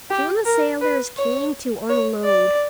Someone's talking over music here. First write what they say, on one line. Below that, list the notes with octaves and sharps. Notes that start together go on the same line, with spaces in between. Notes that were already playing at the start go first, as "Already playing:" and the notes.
Soon the sailors came to unload.
G4
A#4
B4
C#5
C#5
D5